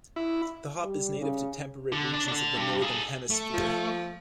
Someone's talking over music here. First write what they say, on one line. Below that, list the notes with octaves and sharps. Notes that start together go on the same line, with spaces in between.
The hop is native to temperate regions of the Northern Hemisphere.
E4
G3
C#3
D3
D4
D4 A4
G2
G#4 A4
A3
F3